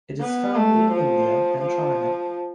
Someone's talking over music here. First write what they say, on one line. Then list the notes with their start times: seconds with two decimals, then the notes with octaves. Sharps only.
It is found in India and China.
0.20 B3
0.56 A3
0.91 F3
1.61 F3